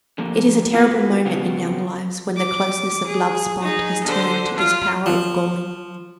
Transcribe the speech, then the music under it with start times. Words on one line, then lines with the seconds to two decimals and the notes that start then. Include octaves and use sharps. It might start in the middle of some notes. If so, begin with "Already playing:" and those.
It is a terrible moment in young lives when the closeness of love's bond has turned to this power of galling.
0.18 D3 F3 G3 A#3
0.73 B3 F4 F#4 B4 E5 F#5
1.25 C#3 B3 C4 F4 F#4
2.36 D6
3.07 G#4
3.62 D#4 G#4
4.04 D3 C5
4.56 F4 F5
5.06 F3